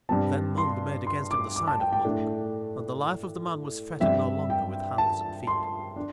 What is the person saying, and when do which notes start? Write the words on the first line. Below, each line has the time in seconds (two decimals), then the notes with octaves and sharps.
Then Mung made against him the sign of Mung and the Life of the Man was fettered no longer with hands and feet.
0.09 G2 G3 C4 A5
0.58 C6
1.07 C6
1.31 D6
1.56 D6
1.67 A5
1.80 G5
1.93 G5
2.04 A2 A3 D4
4.00 G2 G3 C4 E5
4.50 G5
4.98 A5
5.47 C6
5.96 D4